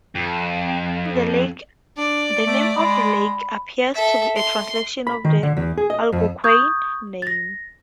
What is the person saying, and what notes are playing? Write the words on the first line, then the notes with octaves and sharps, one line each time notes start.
The name of the lake appears to be a translation of the Algonquian name.
F2
D4 D5
A3
G#3 B5
A4 E5
C6
B5
D#3
D3
E2
G#4
D#5
F2
C#6 D#6 G6 G#6
A6 A#6